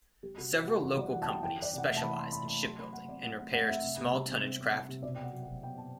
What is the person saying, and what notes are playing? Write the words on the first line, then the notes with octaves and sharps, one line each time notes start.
Several local companies specialise in shipbuilding and repairs to small tonnage craft.
G3 G4
C3 F#4
C3 F#4
G3 F#4
E3 F#4
G3 D5
E3 F#5
A5
G3 G5
E3 G5
E3 D5
C3 F#5
A3 E5
A5
E3 B5
C4 C6
A3 B5
A3 B5
F#3 C6
A3 B5
A3 F#5
C4 D5
A3 F#5
C4 F#5
A3 F#5
C4 E5
C3
C3
G3
C4
C4
C4
C4
C3
B2 D5
G5
B3
F#5
F#3
F#5
F#3
B3 G5
B2 A5